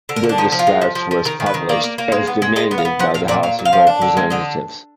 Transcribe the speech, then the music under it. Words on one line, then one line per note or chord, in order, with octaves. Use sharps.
The dispatch was published as demanded by the House of Representatives.
D3
A#4
D3
D4
F3 D#4
F3
F4
G#3
F3
F3
F3
D#3 A#4
D#3
B4
D#3
A#3 D5
A#3
A#3
G#3
B3
G#3
G#3 D#5
B3
F5
B3
F3 F#5
A#2 F5
A#2 D5
A#2 F5
A#2
F5
F3
D4
D3
G#3
D3 D#5